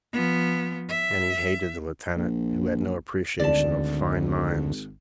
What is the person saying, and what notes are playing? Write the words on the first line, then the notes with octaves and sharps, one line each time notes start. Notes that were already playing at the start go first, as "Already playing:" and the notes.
And he hated the lieutenant, who had no appreciation of fine minds.
F3 B3
E5
A#1
G#1 D2 D5 A5